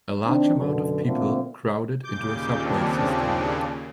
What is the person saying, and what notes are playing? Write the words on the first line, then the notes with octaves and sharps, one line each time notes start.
A large amount of people crowded into a subway system.
D#3 C4 D4
F#2 B2 D3
B2 D3 F3 A3 A#3 C4
D#2 A#2 C#3 D6 G6
C4 D4